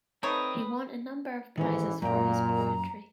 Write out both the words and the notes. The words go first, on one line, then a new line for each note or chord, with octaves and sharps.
He won a number of prizes for his poetry.
A3 C4 D#4 B4 C#5 D#6
A1 G#2 D#3 E3 C#4
F#2 A#2 G5 A#5